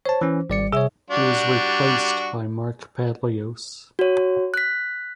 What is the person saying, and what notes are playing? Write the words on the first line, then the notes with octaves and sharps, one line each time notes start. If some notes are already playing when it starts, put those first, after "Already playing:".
He was replaced by Mark Palios.
C5 C#5 A5
E3 C#4
G#1 G3 D5 C#7
C3 G#4 C#5 E5
G3 D4 F#4
F#4 C#5
F#6 B6